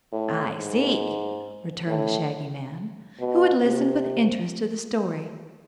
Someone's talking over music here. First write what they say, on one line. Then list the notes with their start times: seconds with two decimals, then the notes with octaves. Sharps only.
"I see," returned the Shaggy Man, who had listened with interest to the story.
0.12 A2
0.56 G#2
1.87 A2
3.20 B2
3.63 C3